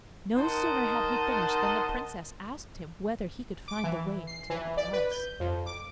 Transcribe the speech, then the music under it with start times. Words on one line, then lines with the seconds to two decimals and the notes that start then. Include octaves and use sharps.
No sooner had he finished than the Princess asked him whether he could find the way to that palace.
0.37 D#4 A#4 C5 D#5 F#5 A5
3.68 D6
3.84 E3
4.27 C7
4.50 E3
4.77 D5
4.93 B4
5.11 G6
5.40 F2
5.66 D6